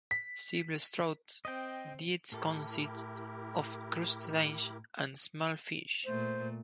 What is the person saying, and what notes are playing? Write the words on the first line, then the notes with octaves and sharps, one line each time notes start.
Silver seatrout diets consist of crustaceans and small fish.
B6
C4 D#5 G5
A2 E4 G4 A4 A#4
A#2 A3 C5